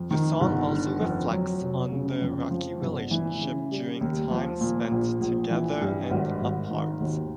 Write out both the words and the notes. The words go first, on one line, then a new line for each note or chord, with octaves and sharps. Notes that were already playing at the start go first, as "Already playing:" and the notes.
The song also reflects on their rocky relationship during times spent together and apart.
Already playing: F2
D#3
G1
D3
F2
F#3
F1
C#3
F2
F3
G1
E3
C#3
G3
D#2
F3
A#2
A#1
A#1
E3
G2
G#1
G#1
D#3
D#2